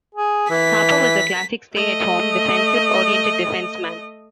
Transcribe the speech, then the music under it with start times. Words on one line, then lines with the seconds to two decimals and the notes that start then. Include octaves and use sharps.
Harper was a classic stay at home defensive oriented defenceman.
0.15 G#4
0.50 E3 B6
1.73 A3 D#5